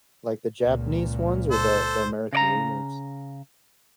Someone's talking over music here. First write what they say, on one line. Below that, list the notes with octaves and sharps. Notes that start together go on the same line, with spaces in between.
Like, the Japanese ones or the the American remakes?
C#2 A#2
A4 C5
C#3 D5 A#5